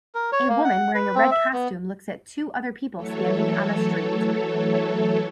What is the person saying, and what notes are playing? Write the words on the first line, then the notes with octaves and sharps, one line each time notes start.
A woman wearing a red costume looks at two other people standing on a street.
A#4
C#5
A#3
F#5
B4
C4
E5
B3
E3 F#3 A3 A4 C#5